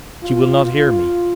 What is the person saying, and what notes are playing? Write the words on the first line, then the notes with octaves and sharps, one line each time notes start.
She will not hear me.
F4
F4